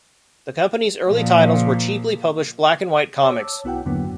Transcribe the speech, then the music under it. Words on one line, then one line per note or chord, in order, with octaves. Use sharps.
The company's early titles were cheaply published black-and-white comics.
A#2 F3
C#5 A5 D6 E6
B1 B3 E4 F#4 F#5 G5
E2 G2 D3 F#3 A#3 B3